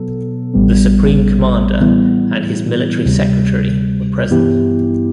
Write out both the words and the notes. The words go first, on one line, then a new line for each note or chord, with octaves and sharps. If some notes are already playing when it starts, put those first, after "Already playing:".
The Supreme Commander and his Military Secretary were present.
Already playing: B2 F#3 B3 A4
A1 A2 G3 B3
A2 E3 G3 B3 E4
D2 C3 G3
G2 E3 B3 E4 G4